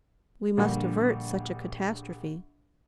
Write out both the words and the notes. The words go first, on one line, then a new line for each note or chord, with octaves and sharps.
We must avert such a catastrophe.
A#1 D3 G3 A#3